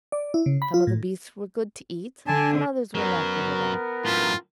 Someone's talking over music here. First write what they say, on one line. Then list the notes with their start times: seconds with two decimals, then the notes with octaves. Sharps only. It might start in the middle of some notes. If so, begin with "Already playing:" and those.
Some of the beasts were good to eat and others were not good at all.
0.12 D5
0.34 E4
0.46 C#3
0.62 B5
0.74 F4
0.87 A2
2.27 D3 D4 G#5 A5
2.95 F#2 F#3 B3 A#4
4.05 F#2 A2 F4